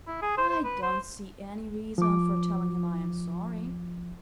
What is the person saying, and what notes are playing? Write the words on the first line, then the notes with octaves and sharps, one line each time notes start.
I don't see any reason for telling him I am sorry.
E4
G#4
C5
C5
B4
C5
F3 D6